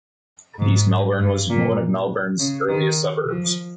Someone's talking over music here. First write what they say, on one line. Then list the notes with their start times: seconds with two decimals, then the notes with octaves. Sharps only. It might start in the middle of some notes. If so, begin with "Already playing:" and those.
East Melbourne was one of Melbourne's earliest suburbs.
0.58 G#2
1.19 G2
1.49 A#2
2.39 C#3
2.68 D#3
3.28 F3